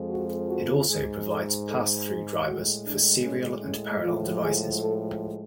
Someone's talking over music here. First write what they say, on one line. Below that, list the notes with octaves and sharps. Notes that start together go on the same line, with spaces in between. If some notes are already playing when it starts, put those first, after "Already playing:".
It also provides pass-through drivers for serial and parallel devices.
Already playing: F2 F3 G#3
F#4
F#4
G#2 G#3 G#4
A4
A4
G#4
A2 G#3 F#4
D4
C#4
C#4
A2 F3 G#3 F4
G#4
A4